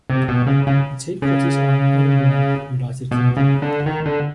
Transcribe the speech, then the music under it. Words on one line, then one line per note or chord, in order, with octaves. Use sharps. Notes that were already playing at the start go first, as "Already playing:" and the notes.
Its headquarters are in Edinburgh, United Kingdom.
C3
B2
C#3
C#3
C#3
B2
C#3
D3
D#3
D3